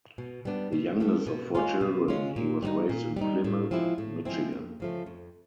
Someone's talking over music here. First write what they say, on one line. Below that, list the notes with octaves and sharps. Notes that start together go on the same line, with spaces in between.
The youngest of four children, he was raised in Plymouth, Michigan.
B2
G3 B3 D4
B2
G3 B3 D4
B2
G#3 C#4 F4
B2
G#3 C#4 F4
A#2
G3 B3 D#4
A#2
G3 B3 D#4
A2
F3 G#3 C4 E4
A2
F3 G#3 C4 E4
F2
C#3 F3 A3
F2